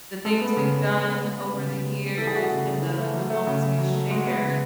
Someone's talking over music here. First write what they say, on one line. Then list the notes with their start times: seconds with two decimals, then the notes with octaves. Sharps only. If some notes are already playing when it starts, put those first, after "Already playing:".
the things we've done over the years and the the moments we shared,
0.25 G#3 A4
0.41 B3
0.57 C#3
0.73 C#3
0.89 G#3
1.05 B3
1.21 G#3
1.37 B3
1.53 C#3
1.69 C#3
1.85 G#3
2.02 B3
2.18 E3 A4
2.27 G#4
2.34 A3 F#4
2.44 G#4
2.50 C#3
2.66 C#3
2.82 E3
2.98 A3
3.14 F#3
3.30 A3
3.47 C#3
3.63 C#3
3.79 F#3
3.94 A3
4.11 G#3 F#4
4.27 B3
4.43 C#3